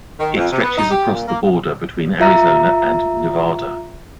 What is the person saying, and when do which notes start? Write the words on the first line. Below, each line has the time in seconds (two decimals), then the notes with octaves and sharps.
It stretches across the border between Arizona and Nevada.
0.19 D#3
0.36 F2
0.51 C3
0.63 B3
0.77 D#4
0.90 G4
1.12 A#2
1.28 A#3
2.20 F4 E5 A#5